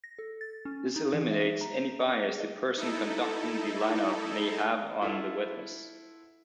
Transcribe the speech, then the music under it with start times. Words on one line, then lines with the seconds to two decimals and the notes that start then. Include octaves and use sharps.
This eliminates any bias the person conducting the lineup may have on the witness.
0.04 A#6
0.19 A4
0.41 A6
0.65 C#4
0.96 D#4
1.14 E3
1.30 E5
1.61 A#5
1.75 C5
2.00 D5
2.28 G#4
2.40 D#5
2.78 D#4 E4 A4
5.02 E4 F4 A4 F5 F#5